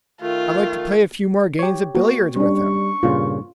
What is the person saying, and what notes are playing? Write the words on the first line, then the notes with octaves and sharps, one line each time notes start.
I'd like to play a few more games at billiards with him.
D#3 A3 F4
G4 C#5
A#3 F#4
G3 C#4 D4 C#6
G2 A#2 C#3 F4